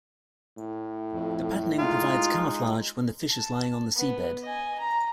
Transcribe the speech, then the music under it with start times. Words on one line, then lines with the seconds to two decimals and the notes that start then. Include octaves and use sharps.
The patterning provides camouflage when the fish is lying on the seabed.
0.57 A2
1.12 F2
1.78 G#3 D#4 F4
3.29 A5
3.96 B3
4.43 D#5 G#5
4.79 A#5